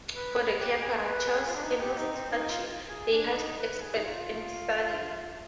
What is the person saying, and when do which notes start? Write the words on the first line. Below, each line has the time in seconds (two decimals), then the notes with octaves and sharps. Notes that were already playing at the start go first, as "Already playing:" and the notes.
For the caper, Charles enlists Archie, a heist expert, and Sally.
0.14 B4
0.36 B4
0.60 G4
0.82 G#4
1.05 B4
1.28 G#4
1.46 F4
1.55 D4
1.63 D#4
1.80 G4
1.97 D#4
2.14 C4
2.32 D#4
2.49 F4
2.88 G#4
3.12 D4
3.30 D4
3.34 D#4
3.58 B4
3.80 G#4
3.95 D#4
4.03 F4